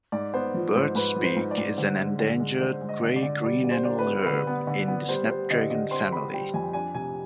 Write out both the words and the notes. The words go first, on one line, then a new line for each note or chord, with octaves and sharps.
Bird's-beak is an endangered gray-green annual herb in the snapdragon family.
G#2 D5
B3 C5
F3
G#2 C5
G#2 B4
F3
C5
G#2
D5
G#2
D3 C5
G#3
D3
G#3
D3 C5
G#3
D#5
D3
D5
D3
G3 D5
D3
C5
D4
B4
B3
D3 B4
B3
D3
B3
G3 C5
G3 C5
D3 D#5
D3 D#5
C4 C6
C4 B5
G3 G5
F2 G#5
D4 G#5
C3 G#5